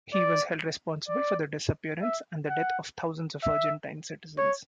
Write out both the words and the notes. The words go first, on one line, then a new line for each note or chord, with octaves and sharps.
He was held responsible for the disappearance and the death of thousands of Argentine citizens.
D5
D5
E5
F#5
E5
C#5